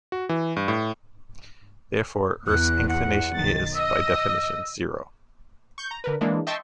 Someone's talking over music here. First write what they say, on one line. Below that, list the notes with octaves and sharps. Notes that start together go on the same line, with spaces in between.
Therefore, Earth's inclination is, by definition, zero.
F#4
E3
G2
A2
E2 F#6
F#5
B1 D#3 A6
D#5 E6
C#6 G6
A#5
D3 A#4 B4
E3 G#3 A#3 D4
D#5 E5 G5 A5 C6 C#6